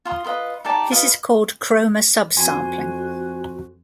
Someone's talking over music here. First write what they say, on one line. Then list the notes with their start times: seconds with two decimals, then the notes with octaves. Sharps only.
This is called chroma subsampling.
0.05 F4 C6 D#6
0.24 F4 B4 D#5
0.64 D#4 G4 D5 A5
0.91 F4 B4 D#5
2.37 F2 F#4 G#5 C6